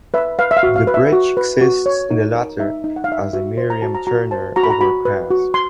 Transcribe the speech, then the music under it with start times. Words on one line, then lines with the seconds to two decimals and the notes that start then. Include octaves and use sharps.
The bridge exists in the latter as the Miriam Turner Overpass.
0.14 B4 E5
0.39 B4 F5
0.51 E5
0.57 F5
0.63 F#4
0.76 F5
0.87 B4
0.94 E5
1.12 F#4
1.37 B4
1.61 F#4
1.86 C#5
2.10 D#4
2.35 A#4
2.60 D#4 E5
2.84 D#4
2.96 F#5
3.04 F5
3.09 D#4 E5
3.19 F5
3.33 F#4 E5
3.58 C5
3.70 A#5
3.82 F#4 A5
3.95 A#5
4.07 F#4 A#5
4.31 C5 A5
4.56 F#4 A#5
4.63 B5
4.70 A#5
4.81 F#4 B5
5.05 B4
5.30 F#4
5.54 C6